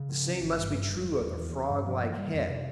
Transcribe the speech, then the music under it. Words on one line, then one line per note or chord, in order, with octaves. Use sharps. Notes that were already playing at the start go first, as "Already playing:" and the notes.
The same must be true of the froglike head.
Already playing: C#3
F3
C#4
G#1
G2
G3
F1
F1
E2
E3
C#4
G2
F3
A#3
G3
F2
C3